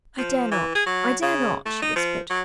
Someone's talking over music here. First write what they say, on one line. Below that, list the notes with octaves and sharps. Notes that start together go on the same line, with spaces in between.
"I dare not--I dare not," she whispered.
F3
E3
G#4
F#3
C#3
A3
D#4
F3
F#3